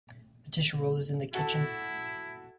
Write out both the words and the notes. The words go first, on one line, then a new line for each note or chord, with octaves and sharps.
The tissue roll is in the kitchen.
E4 F#4 A4 A5